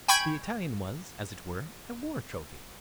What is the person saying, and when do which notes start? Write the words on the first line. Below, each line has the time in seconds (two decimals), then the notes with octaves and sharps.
The Italian was, as it were, a war trophy.
0.08 G5 G#5 B5 C#6 G6 G#6